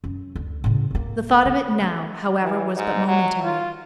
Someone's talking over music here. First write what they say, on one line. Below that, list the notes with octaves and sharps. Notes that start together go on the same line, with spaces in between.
The thought of it now, however, was but momentary.
F#2
D2
A2 C#3
A3 A#3
D3
E3
G#2
F#3
F4